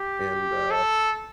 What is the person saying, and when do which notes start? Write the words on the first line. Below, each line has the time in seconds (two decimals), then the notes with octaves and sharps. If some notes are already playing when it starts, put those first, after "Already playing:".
and, uh
Already playing: G4
0.71 A4